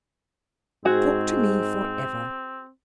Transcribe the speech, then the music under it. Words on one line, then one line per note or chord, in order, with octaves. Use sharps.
Talk to me for ever.
G#2 C4 F#4 G#4